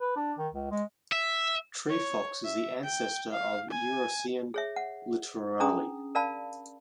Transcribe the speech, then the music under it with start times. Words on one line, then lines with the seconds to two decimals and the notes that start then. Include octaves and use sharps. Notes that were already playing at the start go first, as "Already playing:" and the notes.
Tree Fox is the ancestor of the Urocyon littorali.
0.01 B4
0.16 D4
0.38 D#3
0.53 C#2
0.71 G#3
1.12 E5
1.89 C#5
2.44 E5
2.84 G5
3.33 F5
3.71 G#5
4.54 G#4 C#5 E5
4.76 F#5
5.60 C#4 D4 G#4 A#5 D#6
6.15 A#4 D5 F5 A5 B5